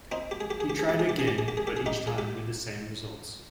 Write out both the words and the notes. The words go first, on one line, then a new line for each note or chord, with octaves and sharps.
He tried again, but each time with the same results.
C4 D#4
G4
G#4
G4
G#4
G4
G#4
G4
G#4
G4
G#4
G4
G#4
G4
G#4
G4
G#4
D#4 G4
G#4
G4